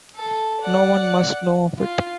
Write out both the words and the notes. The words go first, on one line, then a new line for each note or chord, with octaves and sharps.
No one must know of it.
A4
D5 F#5
F4